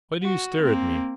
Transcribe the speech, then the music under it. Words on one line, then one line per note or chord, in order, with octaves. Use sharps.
Why do you stare at me?
F#4
A#3 C4